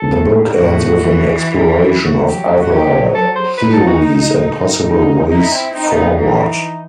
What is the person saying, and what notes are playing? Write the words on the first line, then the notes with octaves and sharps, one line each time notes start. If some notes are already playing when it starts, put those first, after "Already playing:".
The book ends with an exploration of other theories and possible ways forward.
Already playing: A4
A2
A2 F#4
E3
E4
F#4
F#3 G4
F#4
G4
A4
C5
D#4 B4
A4
F#4
D#4
D#4 E4
D#4
C4
C4 D#4
A3
B3
E3 D#4